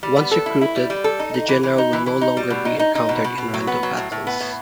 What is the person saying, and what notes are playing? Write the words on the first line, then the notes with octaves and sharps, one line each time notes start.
Once recruited, the general will no longer be encountered in random battles.
G3
B3
A4
E4
E4
G3
G3
A4
D#4
D#4
E3
E3
D#4
E3
E3
D#4
G3
B2
D#4
D#4
D#4
B2
B2
B2
F#3
B3
F#3
A2
A2
B3
A2